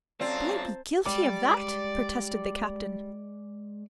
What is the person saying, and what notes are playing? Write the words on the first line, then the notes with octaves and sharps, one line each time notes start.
"Could I be guilty of that?" protested the Captain.
F#2 C4 F4 D5 A5 A#5
G3 G#3 D5